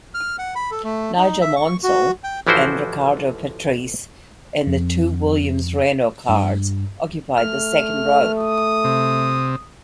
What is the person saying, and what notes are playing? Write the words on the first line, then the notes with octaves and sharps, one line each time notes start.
Nigel Mansell and Riccardo Patrese, in the two Williams-Renault cars, occupied the second row.
F6
F#5
B5
A4
A3
D#4
E5
C#6
F#4
G5
A1 E3 F3 E4 F#4 C5
F2
G2
A3 F6
D#6
C3